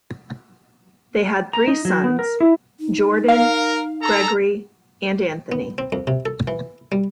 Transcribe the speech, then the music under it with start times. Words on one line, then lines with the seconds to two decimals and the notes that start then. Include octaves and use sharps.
They had three sons, Jordan, Gregory and Anthony.
1.53 A#5
1.67 D#4
1.85 F#3
2.04 B3
2.19 A#4
2.41 E4
2.80 D#4
3.29 A#4 F5
4.02 G#4 A4 A#5
5.52 B3
5.78 C4
5.92 F2
6.07 C3
6.26 A4
6.47 E3
6.92 G3